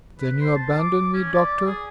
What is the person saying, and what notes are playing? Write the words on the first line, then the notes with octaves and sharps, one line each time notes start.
"Then you abandon me, doctor?"
B4
C5
A5
D6
C#4
D5
G#4